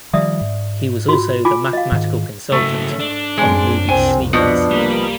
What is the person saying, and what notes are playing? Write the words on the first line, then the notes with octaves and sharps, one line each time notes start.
He was also the mathematical consultant on the movie "Sneakers".
D#3 F3 G3 D5 E5 D#6
G#2
F4 F#4
F4 G#5 D6
D#5 F5
G#2 D#3
G#2 C#3 F#3 A3
D4
F#2 G#3 C4
C2 F2 C4 G#5
B2 F3 B3 D4
G3 A#3